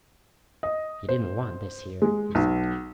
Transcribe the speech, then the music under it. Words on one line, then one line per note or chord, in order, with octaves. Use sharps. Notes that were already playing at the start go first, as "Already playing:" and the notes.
"You didn't want this here," he said.
D#5
C5
G#3
B1